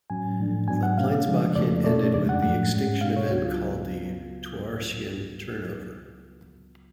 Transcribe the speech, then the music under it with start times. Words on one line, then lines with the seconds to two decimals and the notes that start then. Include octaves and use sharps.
The Pliensbachian ended with the extinction event called the Toarcian turnover.
0.10 A2 F#3 C#4 G#5
0.39 A2 F3 A3 D4
0.68 G#2 F#3 B3 D4 G#5
0.83 F#5
0.98 B2 A3 C#4 F5
1.27 C#3 F3 G#3 D4
1.56 F2 C#3 F3 A3 D5
1.84 B2 A3 C#4 D5
2.14 F2 C#3 G#3 D4 D5
2.29 F#5
2.42 A2 F3 A3 F#5
2.72 G#2 G#3 C#4
3.01 B2 G#3 D4 F5
3.16 C#5
3.30 C#2 C#3 F#3 B3 F#4
3.45 F4